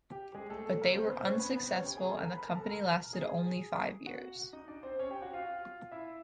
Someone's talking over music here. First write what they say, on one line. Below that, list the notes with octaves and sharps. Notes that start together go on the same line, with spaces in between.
But they were unsuccessful and the company lasted only five years.
G4
G#3 G#4
A3 A4
A3 A4
A#3 A#4
C4 C5
B3 B4
C4 C5
C#4 C#5
B3 B4
B3 B4
C4 C5
C#4 C#5
G4 G5
G#4 G#5
A4 A5
A#4 A#5
B4 B5
A#4 A#5
A4 A5
A#4 A#5
G#4 G#5
F#4 F#5
D#4 D#5
D4 D5
C4 C5
C#4 C#5
G4 G5
F#4 F#5
F4 F5
E4 E5